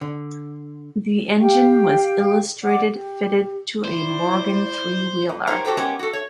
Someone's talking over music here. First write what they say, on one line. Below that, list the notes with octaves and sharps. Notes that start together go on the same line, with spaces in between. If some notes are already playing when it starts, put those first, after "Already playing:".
The engine was illustrated fitted to a Morgan three-wheeler.
D3
G4 F5 G5
D5 F#5 D6
G4
E4 C5 D5
F2
D#4 F4 G4 A#4 C5 C#5
F#4 G4 A4 C5 G5
G#3 B3 C#4 G4 A#4
F#4 A4
C#5